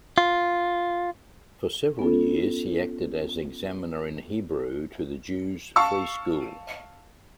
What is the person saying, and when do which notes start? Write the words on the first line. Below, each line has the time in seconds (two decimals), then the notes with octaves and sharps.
For several years, he acted as examiner in Hebrew to the Jews' Free School.
0.18 F4
1.99 B3 C#4 F4 A4
5.76 F5 A5 C#6 E6